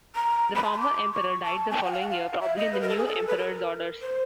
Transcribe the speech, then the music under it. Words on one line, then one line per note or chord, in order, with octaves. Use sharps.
The former emperor died the following year, probably on the new emperor's orders.
A#5
B5
A5
C6
D6
C#6
A5
G#5
G5
F#5
F5
F#5
F5
E5
D#5
B4
A#4
A4
G#4
A4
B4
A#4
C5